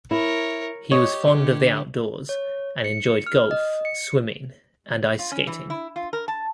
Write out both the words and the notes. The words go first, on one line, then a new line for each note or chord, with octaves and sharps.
He was fond of the outdoors and enjoyed golf, swimming, and ice skating.
E4 A#4 C#5
G4 C#5 D#5
D3
C#5
C#7
F6
D#5
C#7
F4
C#4
E3
E4
F4
A#4
A5